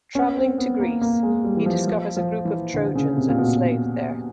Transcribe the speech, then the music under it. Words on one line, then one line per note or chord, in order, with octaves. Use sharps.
Travelling to Greece, he discovers a group of Trojans enslaved there.
C#4
C4
B3
A#3
A#3
G#3
G3
E3
F3
F3
F3
E3
D3
C#3
C3
A#2
B2